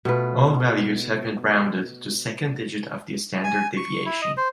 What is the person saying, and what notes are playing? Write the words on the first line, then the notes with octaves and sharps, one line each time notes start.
All values have been rounded to second digit of the standard deviation.
B2 A3 F4 B4
G#5
C#6
E4
D#5
C5